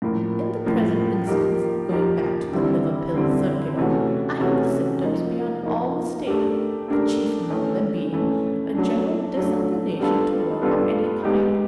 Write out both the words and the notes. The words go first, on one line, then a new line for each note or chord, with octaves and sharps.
In the present instance, going back to the liver-pill circular, I had the symptoms, beyond all mistake, the chief among them being "a general disinclination to work of any kind."
A2 F3 A#3
A2 F3 A#3
F3 A#3 D#4 G4 A#4
F3 A#3 D#4 G4 A#4
D3 G3 C4 E4
D3 G3 C4 E4
C3 E3 A3 C#4 F#4
C3 E3 A3 C#4 F#4
F3 A#3 D#4
F3 A#3 D#4
A3 D4 G4 A#4
A3 D4 G4 A#4
E3 A3 C#4
E3 A3 C#4
F#3 A3 D4
F#3 A3 D4
G3 B3 D4 F4 A4
G3 B3 D4 F4 A4
G#3 B3 D#4 G4